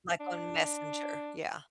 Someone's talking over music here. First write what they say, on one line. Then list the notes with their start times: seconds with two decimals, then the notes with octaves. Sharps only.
Like, on Messenger. Yeah.
0.20 D4